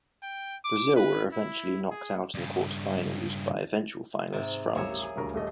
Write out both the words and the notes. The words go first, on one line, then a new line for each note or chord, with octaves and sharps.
Brazil were eventually knocked out in the quarter-finals by eventual finalists France.
G5
D6
B4
E4
G#4
G2 C#3
G#2 C3
D#1 A1 A#3 C#5 E5
G#4
D#1 D2 A#4
D#1 A3 D#5